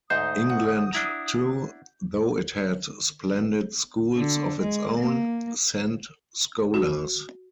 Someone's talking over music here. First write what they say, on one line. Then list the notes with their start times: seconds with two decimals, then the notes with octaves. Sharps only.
England too, though it had splendid schools of its own, sent scholars.
0.10 D2 G#2 D#4 C5 D#6 G6
0.49 F#4
0.93 D4 E4 A#5
4.16 D3
4.61 G#3
4.99 A#3
6.74 F#4